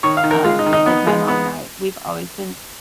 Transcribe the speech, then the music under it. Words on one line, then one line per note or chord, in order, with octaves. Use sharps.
um, like, my mom and I, we've always been
D#3 C#5
F5
D#3
A#4
G#3 F4
D#4
D#3
D#4
B3
G#3
B3